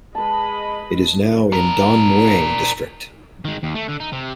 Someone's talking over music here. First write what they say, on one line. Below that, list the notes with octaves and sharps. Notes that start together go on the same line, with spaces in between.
It is now in Don Mueang District.
G#3 B4 D#5 A5 B5
D4 A#4
D#3 G#3
D#2
A3
D3
D#4
C3